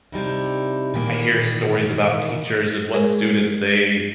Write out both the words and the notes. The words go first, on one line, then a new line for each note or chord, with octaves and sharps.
I hear stories about teachers and what students they
C3 G3 D#4 E4
A#2 D#3 E3 A#3
G#3 G#4 A#4